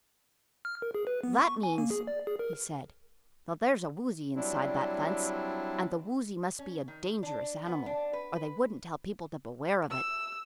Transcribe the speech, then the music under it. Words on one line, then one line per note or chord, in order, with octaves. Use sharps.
"That means," he said, "that there's a Woozy inside that fence, and the Woozy must be a dangerous animal or they wouldn't tell people to beware of it."
F6
A#4
G#4
B4
B3
C#6
G#5
A#3
G#4
D5
G#4
A#4
F#3 G3 C4 D4 E4
C#4
D#3
D4
B3
D4
B4
B4
E6